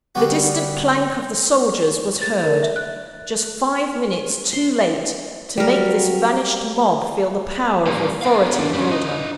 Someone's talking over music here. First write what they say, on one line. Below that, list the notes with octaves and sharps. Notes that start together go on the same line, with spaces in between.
The distant clank of the soldiers was heard just five minutes too late to make this vanished mob feel the power of authority and order.
D3 G3 B3 F#4 G4
A6
A#4
E5
F#6
C6
F#3 G3 C4 F#4 A#4
G3 A#3
B3 F5
B3 D4
G3 C#4
D4 D#5